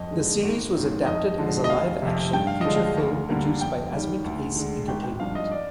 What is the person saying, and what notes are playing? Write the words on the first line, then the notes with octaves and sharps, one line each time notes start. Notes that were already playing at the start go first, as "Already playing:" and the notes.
The series was adapted as a live-action feature film produced by Asmik Ace Entertainment.
Already playing: F2 D#5
D3 G#3
G#1
G#2 D#3
F2 D#5
D3 F3 G#3
D#5
F1 F5
F2 C3
G2 G5
F5
D3 F3 G#3 D#5
F5
D2
D3 G3 A#3
F2 G5
D#3 G3
D2
D3 G#3
G#1 G5
G5
G2 F3 F5
D#5
D5